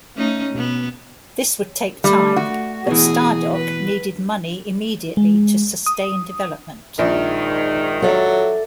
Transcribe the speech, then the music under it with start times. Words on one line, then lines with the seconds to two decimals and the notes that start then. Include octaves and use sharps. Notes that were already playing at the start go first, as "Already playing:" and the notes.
This would take time, but Stardock needed money immediately to sustain development.
0.16 A3 C#4 D#4
0.52 B2 B3
2.04 G3 A3
2.36 F#4
2.87 B2 E3 G#4
3.54 B4
5.17 G#3
5.86 D#6
6.99 A#1 G#2 D#3
8.02 F#3 A4 D5 E5